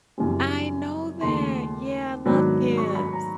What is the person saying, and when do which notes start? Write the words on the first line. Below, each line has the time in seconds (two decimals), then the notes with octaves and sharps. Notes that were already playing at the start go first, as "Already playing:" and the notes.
I know that. Yeah, I love Gibbs.
0.18 F#2 C#3 E3 G3 C4
1.21 D#2 C#3 F3 A3 C6
2.25 G#2 D#3 F#3 B3 D4 B5
2.77 C#6
2.95 B5
3.13 A#5